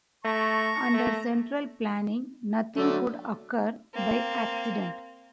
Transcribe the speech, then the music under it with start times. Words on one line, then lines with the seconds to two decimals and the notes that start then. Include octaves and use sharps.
Under central planning, nothing could occur by accident.
0.25 A3 A5 A#5 C#6
0.93 A3
2.76 D3 F#3 A3
3.94 A#3 C4